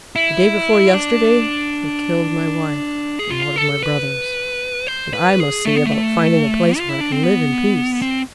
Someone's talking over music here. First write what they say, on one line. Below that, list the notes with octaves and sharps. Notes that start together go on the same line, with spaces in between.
The day before yesterday they killed my wife and one of my brothers, and I must see about finding a place where I can live in peace.
E4
D4
G#4
F4
A4
B4
C5
B4
G#4
A3
B3
A3
F4
E4
D4
C4
B3
C4